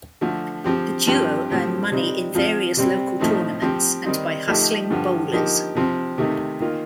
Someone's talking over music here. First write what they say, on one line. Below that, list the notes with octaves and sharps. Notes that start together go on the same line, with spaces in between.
The duo earn money in various local tournaments and by hustling bowlers.
D3 F3 A3
F3 C4 G4
G2 F3 C4 G4
A2 F3 C4 G4
C3 G3 C4 D#4
F3 C4 F4
C3 G3 C4
A2 F3 A3 C4 D#4
F3 C4 G4
D#3 G3 C4 D#4
F3 A3 D#4 G4
G2 D3 F3
F3 A#3 D#4 G4
C3 F3 C4
C3 D#3 A3 D#4
D#3 A#3 F4